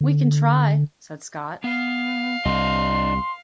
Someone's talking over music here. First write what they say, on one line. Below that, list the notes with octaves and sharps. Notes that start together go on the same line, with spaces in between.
"We can try," said Scott.
D3
B3 F5
C2 D4 D#5 C6